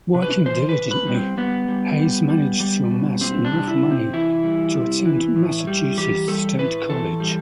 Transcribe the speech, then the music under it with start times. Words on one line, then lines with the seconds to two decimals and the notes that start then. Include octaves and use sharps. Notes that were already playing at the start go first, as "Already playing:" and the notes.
Working diligently, Hayes managed to amass enough money to attend Massachusetts State College.
0.15 C3
0.22 B4
0.46 E3 C5
0.69 B4
0.76 C3
0.91 B4
1.07 G3
1.15 C4
1.37 G3 B3
1.68 G3
1.99 G3
2.29 G3
2.60 G3
2.91 B2
3.21 G3 C4
3.45 D4
3.52 C3
3.68 E4
3.83 C3
3.91 C4
4.13 E3 E4
4.44 G3
4.75 C3
5.05 E3
5.36 A2
5.67 G3
5.97 E3 G4
6.28 G3 A4
6.59 A2 B4
6.89 E3 A4
7.20 G3